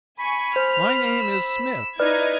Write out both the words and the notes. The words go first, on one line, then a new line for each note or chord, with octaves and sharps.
"My name is Smith."
G#5 B5 C#6
C5 F6
E6
D#4 E4 B4 D5 F6 G#6